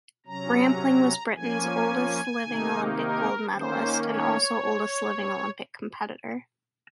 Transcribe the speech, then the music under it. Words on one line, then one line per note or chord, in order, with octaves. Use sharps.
Rampling was Britain's oldest living Olympic Gold medallist and also oldest living Olympic competitor.
C3 F#3 C#4 A#5
F3 A#3 C#4 G#5
C3 D#3 A#3 D#4
A#4
D#3 A#3 C#4 C5
C#5